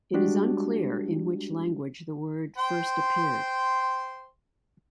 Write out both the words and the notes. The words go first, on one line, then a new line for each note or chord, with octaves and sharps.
It is unclear in which language the word first appeared.
G3 G#3 D4 F#4 G4
C5 G5 C6